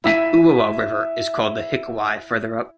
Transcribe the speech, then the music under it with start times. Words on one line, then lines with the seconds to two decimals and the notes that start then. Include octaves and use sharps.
The Uawa River is called the Hikuwai further up.
0.04 E4 E5 B6 D#7